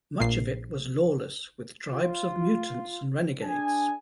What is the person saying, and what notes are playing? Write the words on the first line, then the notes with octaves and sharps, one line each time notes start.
Much of it was lawless with tribes of mutants and renegades.
A#1 C7
F4
D4 G#4 G#5